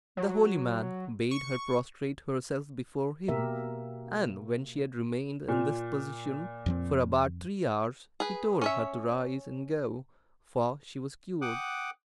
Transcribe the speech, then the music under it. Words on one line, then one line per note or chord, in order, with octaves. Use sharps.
The holy man bade her prostrate herself before him, and when she had remained in this position for about three hours, he told her to rise and go, for she was cured.
F#3
C#6
B2 A#3 G4 A#4 E5
A#2
F2 F3 C4
G#4 B4
C#4 C#5 E5
F#5 G5 D6 D#6 F#6